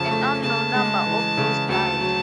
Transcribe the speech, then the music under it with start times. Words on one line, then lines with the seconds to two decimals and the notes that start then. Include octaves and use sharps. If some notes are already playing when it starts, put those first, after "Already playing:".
An unknown number of those died.
Already playing: F2 C#3 F3 A5
0.10 A3
0.42 C#3 A5
0.74 G#3
1.06 E3
1.37 C#3
1.69 D2 A5
2.01 F#3